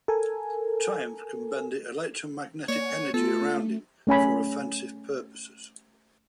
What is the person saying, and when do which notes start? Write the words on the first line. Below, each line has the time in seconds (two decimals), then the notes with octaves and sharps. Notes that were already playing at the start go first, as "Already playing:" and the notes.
Triumph can bend the electromagnetic energy around him for offensive purposes.
0.08 A4 A#4 G#5
2.69 A#3 C#5 D5 F#5 G#5
3.14 A3 B3 F4 A4
4.07 A3 C#4 G#5 B5